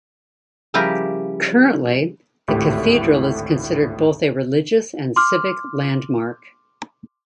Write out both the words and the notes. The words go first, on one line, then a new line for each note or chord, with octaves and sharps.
Currently, the cathedral is considered both a religious and civic landmark.
C#3 F3 G3 E4 G4 A#4
G#1 D2 A2 E4 G4
C6 D6 F6